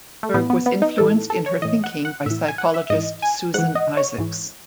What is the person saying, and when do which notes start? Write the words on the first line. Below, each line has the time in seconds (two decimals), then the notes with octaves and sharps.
Berg was influenced in her thinking by psychologist Susan Isaacs.
0.23 A3
0.34 A2 E3 B3
0.50 B3
0.66 B3
0.82 D#4
0.98 A2 E3 A4
1.30 A4
1.46 C#5
1.62 A2 E3 D#5
1.84 F#5
2.05 F#5
2.26 A2 E3 E5
2.48 G#5
2.58 F#5
2.74 E5
2.90 G#2 E3 D#5
3.22 G#5
3.54 G#2 E3 F#5
3.75 D#5
3.97 C#5
4.18 G#2 E3